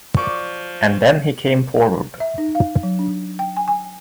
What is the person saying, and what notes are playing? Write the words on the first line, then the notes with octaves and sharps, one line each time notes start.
And then he came forward.
F3 F#3 D5 C#6
E5
D#4
F5
F#3
D4
G5
G#5
G#5